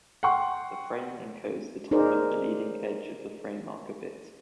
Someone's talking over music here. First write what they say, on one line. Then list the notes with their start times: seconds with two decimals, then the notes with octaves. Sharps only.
The frame encodes the time of the leading edge of the frame marker bit.
0.23 F#5 G5 C6 C#6
1.91 D#4 G#4 A#4 C5 D5